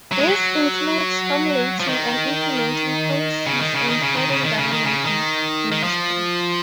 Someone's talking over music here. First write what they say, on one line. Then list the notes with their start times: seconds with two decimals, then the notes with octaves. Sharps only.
This includes formulating and implementing policies and heading government ministries.
0.12 F#3
0.19 G#3
0.28 F#3
1.80 F3
1.88 D#3
3.46 C#3
3.60 D#3
3.74 C#3
3.88 D#3
4.02 C#3
4.15 D#3
4.30 C#3
4.43 D#3
4.57 C#3
4.71 D#3
4.84 C#3
5.04 D#3
5.72 D#3
5.83 F3